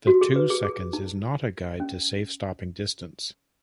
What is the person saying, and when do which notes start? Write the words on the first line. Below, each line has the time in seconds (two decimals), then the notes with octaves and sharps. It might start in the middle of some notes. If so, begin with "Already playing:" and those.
The two seconds is not a guide to safe "stopping" distance.
0.07 F#4
0.21 G#4
0.36 B4
0.50 G#4
0.64 G#4
0.93 D#4
1.80 C#4